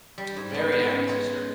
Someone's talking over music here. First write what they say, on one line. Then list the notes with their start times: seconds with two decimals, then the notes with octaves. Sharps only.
Very apt, sir.
0.18 G3
0.36 G#2
0.54 B3
0.72 G#2
0.90 C#4
1.09 G#3
1.27 G#3